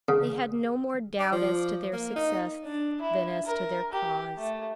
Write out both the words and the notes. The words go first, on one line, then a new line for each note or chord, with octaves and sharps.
They had no more doubt as to their success than as to their cause.
C#3
D5
F3
A#3
D#4
D4
E4
A#4
G4
A3